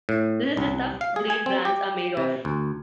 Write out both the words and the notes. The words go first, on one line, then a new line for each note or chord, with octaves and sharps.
This is the stuff great brands are made of.
A2
C2
F5
G#4
G#5
C4
G4
C3
D2